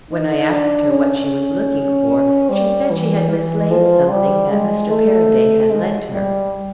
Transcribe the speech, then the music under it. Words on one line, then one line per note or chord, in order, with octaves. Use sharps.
When I asked her what she was looking for she said she had mislaid something that Mr. Paraday had lent her.
D#4
D4
C#4
G3
E3
E3
F3
G3
G#3
A3
G#3
G3